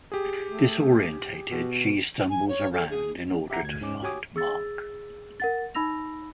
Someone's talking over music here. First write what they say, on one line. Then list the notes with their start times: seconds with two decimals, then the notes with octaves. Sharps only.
Disoriented, she stumbles around in order to find Marc.
0.12 G4 G#4
0.50 A3
1.51 B2
2.30 G#5
2.49 C#5
2.73 A4
2.91 G#4
3.50 G4 E5 F#5 A#5
3.63 D2 G#6
3.81 G#2 G#3 C#4 D6
4.02 F#4 G4 C#5 G#5 D6 D#6
4.36 G#4 E6 A6
5.40 A#4 F#5 A6
5.75 D#4 B5 E6 A#6 F7